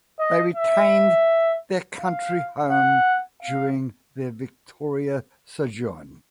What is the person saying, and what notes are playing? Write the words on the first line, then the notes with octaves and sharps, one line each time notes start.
They retained their country home during their Victoria sojourn.
D#5
E5
F5
F#5
F5